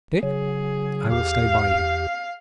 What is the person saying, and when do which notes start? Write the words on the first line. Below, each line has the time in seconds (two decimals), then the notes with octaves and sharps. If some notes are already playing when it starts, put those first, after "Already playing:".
Dick, I will stay by you.
0.23 C#3 F#3 G#4
1.12 E2 G4 F5